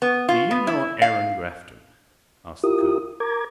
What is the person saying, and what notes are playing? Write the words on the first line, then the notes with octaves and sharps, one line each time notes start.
"Do you know Aaron Grafton?" asked the colonel.
B3
F4
B3
E4
F5
E4 F4 G4 A#4 D#6
A#4 A#5 D6 G#6